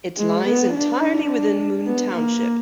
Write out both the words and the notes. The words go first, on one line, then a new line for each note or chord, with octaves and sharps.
It lies entirely within Moon Township.
G#3
B3
D4
B3
A#3